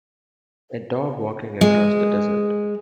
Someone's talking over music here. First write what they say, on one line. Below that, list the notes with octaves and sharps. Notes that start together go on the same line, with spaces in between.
A dog walking across the desert.
G#3